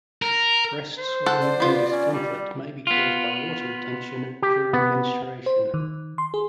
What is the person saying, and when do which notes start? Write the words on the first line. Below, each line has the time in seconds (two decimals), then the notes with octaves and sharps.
Breast swelling and discomfort may be caused by water retention during menstruation.
0.22 A#4
0.98 C5
1.26 A4 F#5
1.42 D5
1.60 B3 F4
1.91 C#4
2.13 G3
2.87 B3 F4
4.42 G4
4.73 B3
5.46 C5
5.74 D#3
6.18 C6
6.34 G#4